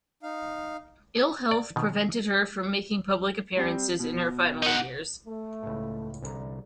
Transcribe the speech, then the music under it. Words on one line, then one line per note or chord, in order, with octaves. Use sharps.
Ill health prevented her from making public appearances in her final years.
D#4 F5
D5
B2 D#3
G3 C4
B2
D#4 F#5
A3
C#2 A2
C2 D3 A#5